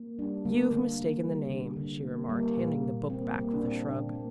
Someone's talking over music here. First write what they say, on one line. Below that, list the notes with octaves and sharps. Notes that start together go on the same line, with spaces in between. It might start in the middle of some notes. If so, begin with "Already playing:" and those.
"You've mistaken the name," she remarked, handing the book back with a shrug.
Already playing: A#3
G3 D4
D3 A#3
D3
A#3
G3
D3
D3
A#3
G3 A#3
A#2
A#2
A#3 C4
G3 A#3
D4
A#2 C4
A#2 D4
A#3